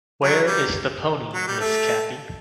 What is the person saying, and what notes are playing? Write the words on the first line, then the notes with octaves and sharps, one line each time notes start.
Where is the pony, Miss Cathy?
F#3
G3
F#3
G3
A3